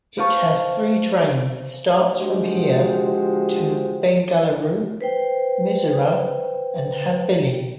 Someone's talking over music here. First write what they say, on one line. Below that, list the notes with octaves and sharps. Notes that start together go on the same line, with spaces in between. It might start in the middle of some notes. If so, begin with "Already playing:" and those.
It has three trains starts from here to Bengaluru, Mysuru and Hubballi.
B4 C5 F5 A5 C#6
D3 F3 G#3 F#4 G4 C5
B4 C5 G5